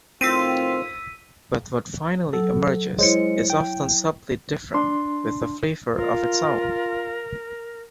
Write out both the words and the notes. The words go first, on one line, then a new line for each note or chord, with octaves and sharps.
But what finally emerges is often subtly different, with a flavour of its own.
A2 D#3 C4 F4 E6 B6 D#7
F#3 A4
G#3 E4 C5 C#5 C#7
G5
D4 C6
F4 A#4